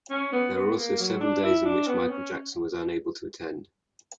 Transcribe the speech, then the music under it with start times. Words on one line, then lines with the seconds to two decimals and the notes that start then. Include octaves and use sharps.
There were also several days in which Michael Jackson was unable to attend.
0.10 C#4
0.32 B3
0.55 B3
0.76 A#3
0.99 F#3
1.21 D4
1.43 E4
1.65 D4
1.87 B3
2.01 B3
2.10 C#4